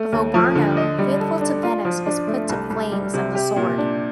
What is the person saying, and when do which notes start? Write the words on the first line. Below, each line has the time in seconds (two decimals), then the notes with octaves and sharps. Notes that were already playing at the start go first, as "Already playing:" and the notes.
Vobarno, faithful to Venice, was put to flames and the sword.
Already playing: A3
0.12 D#2
0.34 F3
0.55 D3
0.77 D#5
0.99 G3
1.20 A4
1.41 D4
1.63 F4
1.85 F3
2.06 D4
2.27 A3
2.49 C2
2.70 C2
2.92 G3
3.14 C3
3.35 G4
3.56 A#2
3.78 D4